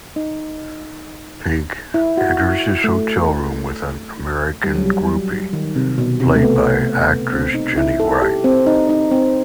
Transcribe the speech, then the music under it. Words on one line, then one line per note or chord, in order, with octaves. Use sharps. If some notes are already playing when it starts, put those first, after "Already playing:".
Pink enters his hotel room with an American groupie, played by actress Jenny Wright.
D#4
E4
F#4
E4
A3
G3
F#3
G3
F#3
D#3
C3
B2
C3
A3
B3
C4
D#4
E4
A4
G4
C4
D#4
D#4
C4